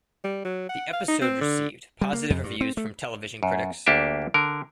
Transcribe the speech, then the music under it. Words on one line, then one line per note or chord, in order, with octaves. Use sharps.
The episode received positive reviews from television critics.
G3
F#3
F#5
F5
D#4
C4
D3
G3
A#3
F2
G2
C4
A3
F#2
D2 A#3 D4 G4 E5
D3 A#4